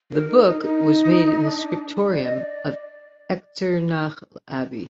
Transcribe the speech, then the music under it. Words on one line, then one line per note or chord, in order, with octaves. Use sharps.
The book was made in the scriptorium of Echternach Abbey.
A#4
D#4
D#4
D#4
D4
D4
D5
D#5
D#5
D5